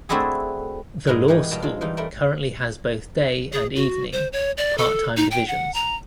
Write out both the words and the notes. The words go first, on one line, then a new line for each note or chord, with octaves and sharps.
The law school currently has both day and evening, part-time divisions.
A3 C4 D4 E4 F#4 G#4
G#2 F#3 E4 G#4 A#4 D#5
E3 G#3 B3 G4 G#4 D#5
B2 G3 G4 F5 A5 A#5
G#3 C4 F4
E3 G3 D#4 F4
A3 E4 A#4 D5
G#4
F#4
C5
C#5
D5
A4
D#4
G5
F#5
A#5